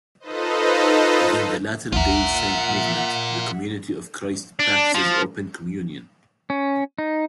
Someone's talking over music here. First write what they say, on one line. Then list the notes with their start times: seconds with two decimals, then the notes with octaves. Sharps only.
Within the Latter Day Saint movement, the Community of Christ practices open communion.
0.20 D#4 F4 A4 B4 C5 D#5
1.93 A1 D#2 F4 A#4 E5 F#5
4.59 D4
4.95 F3
6.50 C#4
6.98 D#4